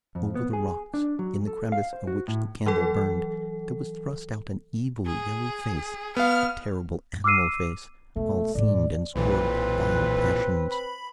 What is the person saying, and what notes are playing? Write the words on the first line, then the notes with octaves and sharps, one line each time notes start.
Over the rocks, in the crevice of which the candle burned, there was thrust out an evil yellow face, a terrible animal face, all seamed and scored with vile passions.
F2
B3
G#4
D4
F#3
A4
F5
C5
F#4
A2
E3 F#3 A4
G#4
B3 F5 F6
D6 E6 F6 C7 D#7
E1 A3
A2 E3 D5
B1 A#2 E3 C4 B4
B5